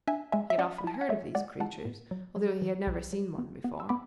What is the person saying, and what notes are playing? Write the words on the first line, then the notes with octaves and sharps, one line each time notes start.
He had often heard of these creatures, although he had never seen one before.
D4 E5 G#5
G#3 E5 G#5
E5
C#4 D5 F#5
B5
E4 A5
G#5
F#5
G#3 C#5 E5
G#3 D5 F#5
G#3 F#5 A5
A2
F#3
F#3
E3
B1
F#3
B3
B3
E6
B3 B5 D6